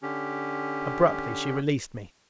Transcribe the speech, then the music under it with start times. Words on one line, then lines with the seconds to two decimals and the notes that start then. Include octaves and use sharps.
Abruptly she released me.
0.02 D3 C#4 G4